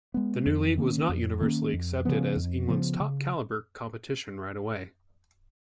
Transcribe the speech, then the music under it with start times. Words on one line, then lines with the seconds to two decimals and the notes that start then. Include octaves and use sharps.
The new league was not universally accepted as England's top-calibre competition right away.
0.14 G#3 B3
0.46 F2
0.78 D#3 A#3 C#4
1.09 F2
1.41 D#3 A#3 C#4
1.73 F2
2.05 C#3 F3 B3
2.36 F2
2.68 C#3 F3 B3
3.00 C#3